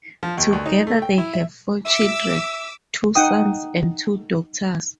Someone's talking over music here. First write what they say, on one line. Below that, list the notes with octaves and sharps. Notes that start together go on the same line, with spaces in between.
Together they have four children: two sons and two daughters.
F3
D#2
D2
D#4
A3
G5
E4
E5
E5 D6 E6 B6
D#4 F#5 G5 D#6